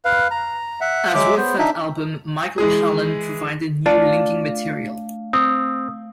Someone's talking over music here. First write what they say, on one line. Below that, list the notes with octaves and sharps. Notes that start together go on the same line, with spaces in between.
As with that album, Michael Palin provided new linking material.
B4 F5
A#5
E5 F#5
F#3 G#3 E5 D6
B3 C5
D4 D#4 E5
E3 G#3 G#4
A3 D4 F4 F5
C4 D#6